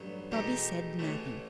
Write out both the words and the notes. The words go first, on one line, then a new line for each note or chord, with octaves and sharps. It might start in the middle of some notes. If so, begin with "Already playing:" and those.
Bobby said nothing.
Already playing: A1 G2 F#3 B3
E2 B2 A3 D#4 G4
A1 A2 E3 A3